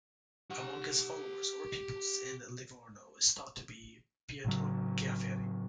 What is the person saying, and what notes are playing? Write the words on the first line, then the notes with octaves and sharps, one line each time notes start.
Among his followers or pupils in Livorno is thought to be Pietro Ciafferi.
G4 F#5
A2 C#3 F#3